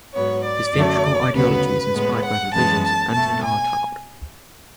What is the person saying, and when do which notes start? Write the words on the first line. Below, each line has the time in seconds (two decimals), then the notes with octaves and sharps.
His theatrical ideology is inspired by the visions of Antonin Artaud.
0.14 G#2 F#3 B3 C#5
0.44 D5
0.74 F#2 D3 F#3 A3
1.33 D2 C#3 F#3 B3 B4
1.93 A2 G#3 B3
2.23 F#5
2.54 F#2 E3 G#3 B3 A5
2.83 A5
3.13 B2 A3 A5
3.43 G#5